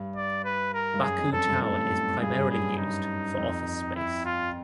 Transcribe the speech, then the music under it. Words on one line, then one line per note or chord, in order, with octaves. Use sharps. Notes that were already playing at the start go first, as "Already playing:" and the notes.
Baku Tower is primarily used for office space.
Already playing: G2
D5
B4
A#4
G2
F#2 G#4
F2
F#2 A4
G2
A2 A4
G2 G#4
F#2
G2
G#4
D#4
F2
E4
F4